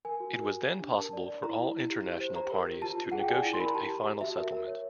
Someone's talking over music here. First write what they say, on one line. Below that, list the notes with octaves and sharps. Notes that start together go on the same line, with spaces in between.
It was then possible for all international parties to negotiate a final settlement.
A#4 G#5
F#4
A#4
G4
G4
D4
A#4 A5
D5
D5
E4 A#5
E4
E4
G4
G4
C5
G4 A#5
A#4
G4
F4 A5
F4
G#4 F#5
G5
D5 G#5
E4
C6
A#4 B5
A#5
G4 A5
G4
G4
F#4 E5
A#4
A#4
C#5